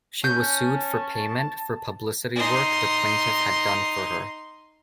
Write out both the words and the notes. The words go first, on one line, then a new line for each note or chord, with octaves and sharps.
She was sued for payment for publicity work the plaintiff had done for her.
C#4 A5 G6
D#4 C6